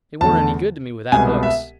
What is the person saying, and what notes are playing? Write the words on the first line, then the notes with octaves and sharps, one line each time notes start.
It warn't any good to me without hooks.
E2 D3 A3 A5
C2 B2 G#3 B3 G#5
E5